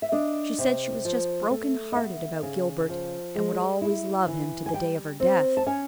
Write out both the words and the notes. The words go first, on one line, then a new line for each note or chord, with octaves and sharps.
She said she was just broken-hearted about Gilbert, and would always love him to the day of her death.
E5
D4 D#5
C3
F3
A3
D#5
B3 E5
C#3
F3
G#3
E4
E3
G#5
G3 G5
C4
A5
C#4 G#5